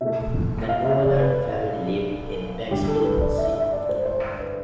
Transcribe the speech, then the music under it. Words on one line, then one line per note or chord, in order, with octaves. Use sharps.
The Nolan family lived in Bexhill-on-Sea.
B2 A3 E5
F5
E5
D5
B4
D3 G3 G4
A4
B4
D5
E5
E5
D5
C5
C5
B4